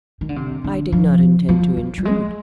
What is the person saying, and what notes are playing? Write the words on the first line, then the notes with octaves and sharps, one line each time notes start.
"I did not intend to intrude."
D#3
D3
C3
D3
F3
F3
F3
G3
G#3